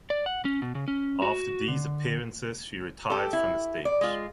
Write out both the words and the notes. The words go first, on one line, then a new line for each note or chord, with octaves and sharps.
After these appearances she retired from the stage.
D5
F#5
C#4
B2
C#3
C#4
F#4
D3
G4 A4
E4
D5
G#3 F4